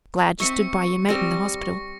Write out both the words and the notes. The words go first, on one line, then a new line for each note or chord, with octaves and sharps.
Glad you stood by your mate in the hospital.
C4 E5 C#6 C#7
G3 C4 A#6